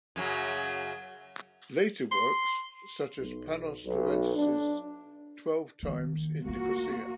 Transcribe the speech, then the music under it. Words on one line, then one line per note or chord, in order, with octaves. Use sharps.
Later works, such as Panos Leventis' Twelve Times in Nicosia.
F#2 C#3 F#3
C6
B1
B1
D4
D#3 A#3
A3 A#3 F4 F#4